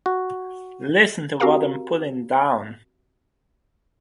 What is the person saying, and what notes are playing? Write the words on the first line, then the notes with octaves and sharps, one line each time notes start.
Listen to what I'm puttin' down.
F#4
C4 F#4 G4 A#4 F5 A#5